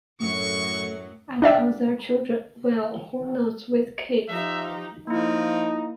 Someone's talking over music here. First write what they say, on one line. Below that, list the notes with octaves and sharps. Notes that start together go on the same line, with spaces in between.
As for their children, well, who knows with kids?
F#2 A2 F#3 A3 C#6
D4 D5 E5 G5
F3 D#4 G4 E5
F3 A#3 D#4 E4